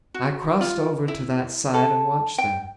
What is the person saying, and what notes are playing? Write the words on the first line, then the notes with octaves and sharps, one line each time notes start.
I crossed over to that side and watched them.
F#4
F4
E4
A4
G5